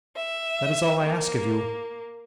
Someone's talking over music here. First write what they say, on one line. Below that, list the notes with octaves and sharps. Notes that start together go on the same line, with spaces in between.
That is all I ask of you.
E5
A#3